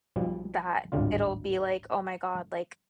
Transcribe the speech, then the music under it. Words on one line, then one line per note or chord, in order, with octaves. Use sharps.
That it'll be like, "Oh my god," like,
B1 B2 F3 G3
G#1 D2 A2 D3 G3 F4